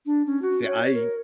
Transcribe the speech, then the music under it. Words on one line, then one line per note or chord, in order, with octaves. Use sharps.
See I
D4
C#4
F#4
C#5
A#4